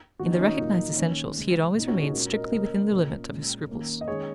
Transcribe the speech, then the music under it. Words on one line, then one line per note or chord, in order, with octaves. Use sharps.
In the recognized essentials he had always remained strictly within the limit of his scruples.
D#3 A#3 C#4 F#4
D#4
C#4
D#4
A#2 F#3 A#3
D#3 A#3 C#4
C#3 G#3 C#4
A#2 A#3 C#4 D#4
C#4 F#4
D#4 G#4
A#2 G#3 C#4 F#4 A#4
A#4 D#5
C#3 A#3 C#4 A#4 D#5
A#2 A#3 C#4
A#2 G#3 C#4
D#3 A#3 C#4
D#5
D#3 G#3 C#4 G#4 C#5